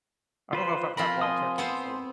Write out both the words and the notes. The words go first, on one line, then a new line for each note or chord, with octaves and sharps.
I don't know if I've had wild turkey before.
F4 B4 C5
F3 C4 A#4 B5
G#5 C6 D#6
B3 C4 C5